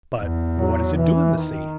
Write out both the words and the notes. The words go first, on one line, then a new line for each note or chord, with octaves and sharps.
But what does it do in the sea?
E2
F#3
E3
D#3